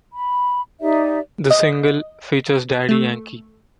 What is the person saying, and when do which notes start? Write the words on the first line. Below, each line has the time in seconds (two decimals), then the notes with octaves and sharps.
The single, features Daddy Yankee.
0.13 B5
0.81 D#4 G4 D5 E5
1.51 D#5
2.89 A3